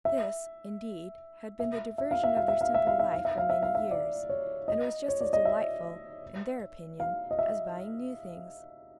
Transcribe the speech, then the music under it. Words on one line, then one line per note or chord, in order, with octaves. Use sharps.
This, indeed, had been the diversion of their simple life for many years, and was just as delightful, in their opinion, as buying new things.
E5
E5
E5
F5
E5
F5
E5
F5
E5
F5
E5
F5
E5
F5
E5
F5
E5
D5
C#5
D#5
C#5
D5
D#5
E5
F5
D#5
E5